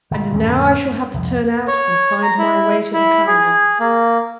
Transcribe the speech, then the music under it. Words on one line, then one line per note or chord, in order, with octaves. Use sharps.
And now I shall have to turn out and find my way to the Clarendon.'
G1 A#2
D#2 G#2 C#4
F2 A2 D3
G2
C2 F2
C#5
A#5
E4
E4
G#4
A#3